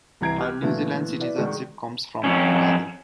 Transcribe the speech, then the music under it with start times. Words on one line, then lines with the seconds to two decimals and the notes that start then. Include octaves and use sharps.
Her New Zealand citizenship comes from her father.
0.21 C2 E3 A#5 G#6 C7 D7
0.39 G4 F6 F#6
0.62 A#2 E3 F#3 A3 B3 E4
1.20 E4 B4 D5
1.36 D#3 G#3 F#4 D5
2.24 F2 C#4